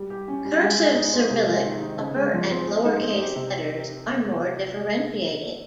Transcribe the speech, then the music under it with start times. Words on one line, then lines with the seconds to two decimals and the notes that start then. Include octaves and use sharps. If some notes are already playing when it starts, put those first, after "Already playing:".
Cursive Cyrillic upper and lower case letters are more differentiated.
Already playing: G3
0.10 G4
0.28 C#4
0.45 G3
0.62 G#3
0.80 G#4
0.96 D#4
1.13 C5
1.30 C3
1.47 G#3
1.65 D#3
1.81 D#4
1.99 C#3
2.16 G#3
2.33 F3
2.51 C4
2.67 G#3
2.85 D#4
3.01 C4
3.18 G4
3.36 C3